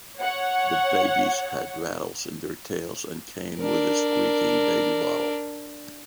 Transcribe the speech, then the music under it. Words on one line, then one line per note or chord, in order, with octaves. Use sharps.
The babies had rattles in their tails and came with a squeaking baby bottle.
C#5 F#5
D4 A#4